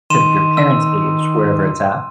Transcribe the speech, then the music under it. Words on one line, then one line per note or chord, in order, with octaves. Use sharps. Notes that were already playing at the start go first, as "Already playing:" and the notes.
to th your parents' age, wherever it's at,
D#3 C6 D#7 E7
E6